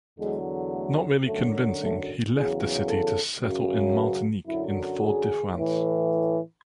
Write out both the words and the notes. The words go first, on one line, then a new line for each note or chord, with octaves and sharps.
Not really convincing, he left the city to settle in Martinique, in Fort-de-France.
E2 D3 F#3 G#3
A3
F#2 D3 F#3 A3
A3
E2 C#3 F#3 G#4
A4
F#2 C#3 F#3
B4
F#2 D3 F#3 E4
G#4
A2 E3